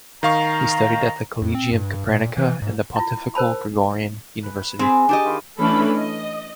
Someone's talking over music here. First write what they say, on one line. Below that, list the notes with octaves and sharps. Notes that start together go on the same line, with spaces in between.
He studied at the Collegium Capranica and the Pontifical Gregorian University.
D#3 F5 A#5 C#6
F2
C4
G2
A#2
E3
G#2
E4 F4
A#4 C5 A5 B5
B4
C4 G#4 B4
D4 G4 D#5
D#3 F4 B5
E3 A3 C#4 D4 A4 B5
D#5